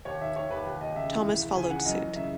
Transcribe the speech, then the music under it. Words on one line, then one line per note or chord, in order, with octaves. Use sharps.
Thomas followed suit.
D#2 C#5
D#3 E5
D#3 C#5
D#2 B4
D#2
D#2 D#5
C#3 E5
E3
C#2
C#2
C#3 G#5
E3 F#5
F#2 D#5
F#2
C#3 E5